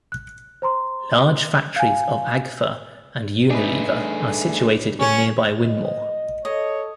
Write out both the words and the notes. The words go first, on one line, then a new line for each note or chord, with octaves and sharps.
Large factories of Agfa and Unilever are situated in nearby Whinmoor.
F#6
C5 A#5 C6
F5 G#5
A3 D4 D#4 G#4 B4
C#4 C#5
D#5
A4 C#5 D#5